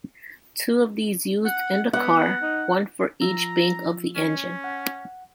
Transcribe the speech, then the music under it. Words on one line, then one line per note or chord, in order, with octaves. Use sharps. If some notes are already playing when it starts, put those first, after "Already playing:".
Two of these used in the car: one for each bank of the engine.
F#5
B3 F#5
D#4
F3 F4 A#5 E6
C#4
F#5